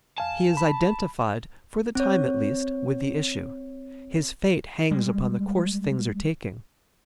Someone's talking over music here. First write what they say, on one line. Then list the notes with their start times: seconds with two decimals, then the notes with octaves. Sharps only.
He is identified, for the time at least, with the issue; his fate hangs upon the course things are taking.
0.18 E2 F5 G#5 A5
0.57 B5
1.95 C4 C#5
4.91 G3 G#3